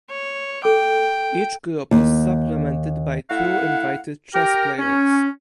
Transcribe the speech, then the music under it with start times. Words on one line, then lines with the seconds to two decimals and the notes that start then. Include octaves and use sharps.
Each group was supplemented by two invited chess players.
0.10 C#5
0.64 A4 G5 D6
1.91 D#2
3.30 A3 E4 F5 F#5
4.34 G4 A#4 G5
4.78 C#4